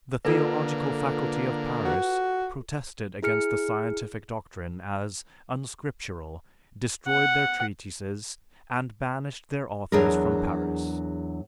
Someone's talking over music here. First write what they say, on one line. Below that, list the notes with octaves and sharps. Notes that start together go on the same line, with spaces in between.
The theological faculty of Paris protested against the scientific doctrine as unscriptural, destroyed their treatises, and banished their authors from Paris.
D3 A#3 F4 A4 B4
F#4
E4 G#4 F6 C#7
F#5
E2 F#3 D4 G#4 A#4